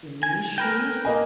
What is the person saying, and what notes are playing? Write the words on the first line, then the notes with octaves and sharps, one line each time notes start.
In These Shoes?
G#5
A#4 B4 G5
A#3 D#5 G#5